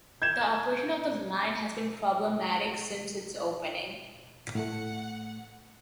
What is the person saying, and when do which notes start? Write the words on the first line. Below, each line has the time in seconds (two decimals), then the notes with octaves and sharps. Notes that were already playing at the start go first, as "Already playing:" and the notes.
The operation of the line has been problematic since its opening.
0.22 G6 G#6 E7
4.55 A2 A3 F#5